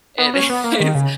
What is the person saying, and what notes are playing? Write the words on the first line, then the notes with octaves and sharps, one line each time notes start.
it is
B3
C#4
B3
A#3
D#3
C#3